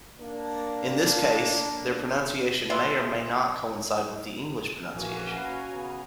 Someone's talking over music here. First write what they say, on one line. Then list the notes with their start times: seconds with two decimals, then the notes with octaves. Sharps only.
In this case, their pronunciation may or may not coincide with the English pronunciation.
0.21 A#3 D4
2.70 E3 E4 F4
4.94 A#1 E3 A#3 C#4 F#4 G#5 A#5
5.36 B4 F5
5.72 C#3 B3